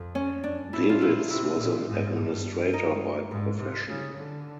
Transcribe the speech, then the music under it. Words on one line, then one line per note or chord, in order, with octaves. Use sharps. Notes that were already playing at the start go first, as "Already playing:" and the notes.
Dewitz was an administrator by profession.
Already playing: F2
C#4
F#2 D4
A2 E4
F4
A#2 E4
C3 E4
A#2
G#2
G2
D#4
G#2
C3
C#3
D3